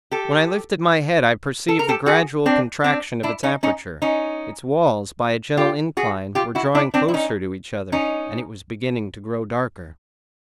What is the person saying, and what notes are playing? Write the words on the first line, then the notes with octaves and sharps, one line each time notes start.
When I lifted my head I perceived the gradual contraction of its aperture. Its walls, by a gentle incline, were drawing closer to each other, and it was beginning to grow darker.
G4 A4
A4
A#4
G4 A4
F#4 G#4
C4 D4
C4 D4
D4 E4
C#4 D#4
C#4 D#4
C#4 D#4
F4 G4
F#4 G#4
F4 G4
E4 F#4
D4 E4
C4 D4
E4
C#4 D#4
C#4 D#4